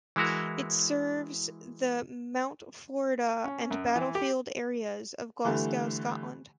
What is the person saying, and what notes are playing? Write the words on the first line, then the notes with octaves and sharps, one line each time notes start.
It serves the Mount Florida and Battlefield areas of Glasgow, Scotland.
E3 G#3 E4 F#4 A#4
C#4
F#2
E3
G4
D3 E3 G3 A3